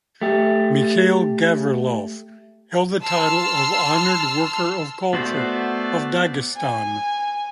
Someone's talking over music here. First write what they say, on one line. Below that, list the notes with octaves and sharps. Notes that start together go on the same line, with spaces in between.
Mikhail Gavrilov held the title of Honored Worker of Culture of Dagestan.
A3 G4
A5 C6 E6 F6
A3 B3 F#4 C5 D5
G#5